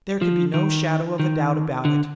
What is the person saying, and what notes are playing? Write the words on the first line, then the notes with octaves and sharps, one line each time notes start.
There could be no shadow of a doubt about it.
F3
D#3
D#3
D3